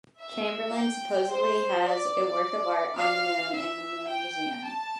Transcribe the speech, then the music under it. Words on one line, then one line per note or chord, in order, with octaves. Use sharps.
Chamberlain supposedly has a work of art on the moon in the Moon Museum.
E5
G5
C5
D5
F5
E5
G5
A5